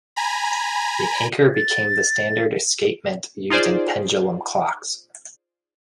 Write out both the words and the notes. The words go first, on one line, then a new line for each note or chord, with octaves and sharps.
The anchor became the standard escapement used in pendulum clocks.
G#5 A#5 B5
A6
D#4 F4 G#4 C5 D5